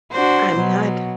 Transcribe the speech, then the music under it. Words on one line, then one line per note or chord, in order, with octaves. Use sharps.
I I'm not
D4 F#4 C5
B2 F#3